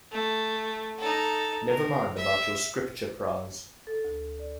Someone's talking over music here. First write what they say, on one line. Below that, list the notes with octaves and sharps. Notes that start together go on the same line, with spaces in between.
Never mind about your Scripture prize.
A3
D#4 A4
A#4
E5
A4
D2
D5